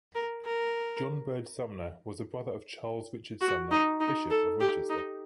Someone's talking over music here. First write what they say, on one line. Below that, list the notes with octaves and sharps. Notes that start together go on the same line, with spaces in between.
John Bird Sumner was a brother of Charles Richard Sumner, bishop of Winchester.
A#4
A#4
F#4
D#4
D#4
A4
G4
D#4